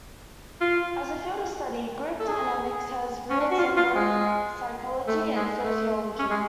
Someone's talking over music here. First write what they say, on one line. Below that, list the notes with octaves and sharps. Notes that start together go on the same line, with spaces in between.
As a field of study, group dynamics has roots in both psychology and sociology.
F4
A4
G#4
C#4
D4
F#4
F4
F4
G#3
A3
G#3
A3
C#4
G#3